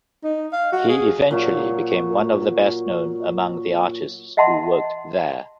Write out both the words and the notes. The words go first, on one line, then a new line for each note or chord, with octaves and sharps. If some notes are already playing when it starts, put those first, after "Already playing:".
He eventually became one of the best known among the artists who worked there.
D#4
F5
F#4
G#4
A#2 F#3 F#4
D#5 E5 F#5 A5 C6